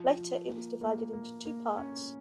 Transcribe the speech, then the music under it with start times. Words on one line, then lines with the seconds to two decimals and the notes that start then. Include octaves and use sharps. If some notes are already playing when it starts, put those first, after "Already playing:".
Later, it was divided into two parts.
Already playing: F3
0.16 F3
0.48 A#3
0.81 A#3
1.13 A#3
1.45 A#3
1.77 C#4